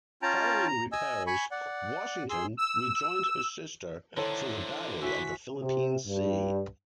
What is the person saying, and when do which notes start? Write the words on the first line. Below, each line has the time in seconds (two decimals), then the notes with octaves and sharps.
Following repairs, "Washington" rejoined her sister for the Battle of the Philippine Sea.
0.22 C#4 F4 G5 A5 A#5
0.67 A#5
0.92 D#5 G#5 E6
1.27 G#5 B5 C#6
1.51 D5 F#5
2.30 G#4 C6 E6
2.57 E6
4.17 D3 D#3 E4 A4 C5 C#5
5.01 F#4 E5 G#5 B6
5.57 C3
6.07 G2